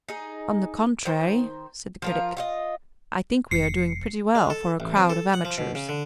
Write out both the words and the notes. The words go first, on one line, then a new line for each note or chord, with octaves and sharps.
"On the contrary," said the Critic, "I think we are doing pretty well for a crowd of amateurs."
D#4 G#4
D#3 C5
F3 F4 A#4
F4 F#4 D#5
F1 C7 C#7
G#3
A4
A1
C4
A4
F#5
F3
B2
C#3
D3